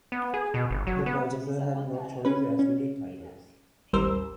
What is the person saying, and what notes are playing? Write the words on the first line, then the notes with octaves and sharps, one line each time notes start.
The purchaser had no choice as to the titles.
B3
G#4
B2
G1
F#3
B3
C#4 B4
C#4
A1 D#2 G3 A#4 C5 E6